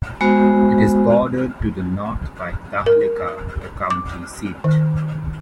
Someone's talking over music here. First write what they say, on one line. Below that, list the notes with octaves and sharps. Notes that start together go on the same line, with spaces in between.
It is bordered to the north by Tahlequah, the county seat.
G#3 B3 F#4 C5
A#4
D6
D#3